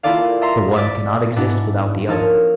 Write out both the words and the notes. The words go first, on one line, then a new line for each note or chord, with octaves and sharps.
The one cannot exist without the other.
A#3 E4 F4 A4 D5 F5
A4 E5 A#5 C6
D5 A6 B6
G#2 B3 D4 E4
F3 D#4 A4 A#4 C#5